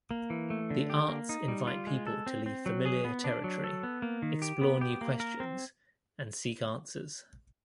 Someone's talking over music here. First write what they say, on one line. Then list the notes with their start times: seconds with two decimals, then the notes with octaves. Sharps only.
The arts invite people to leave familiar territory, explore new questions, and seek answers.
0.11 A#3
0.30 E3
0.50 A3
0.70 D3
0.90 G4
1.08 A#3
1.29 D#4
1.48 G3
1.67 F4
1.87 G#3
2.07 A4
2.27 C4
2.46 C4
2.66 F#3
2.85 G#4
3.04 B3
3.24 D4
3.44 F#3
3.64 A4
3.83 B3
4.02 A#3
4.22 D#3
4.42 G4
4.61 B3
4.81 G4
5.01 A#3
5.20 A#4
5.40 C4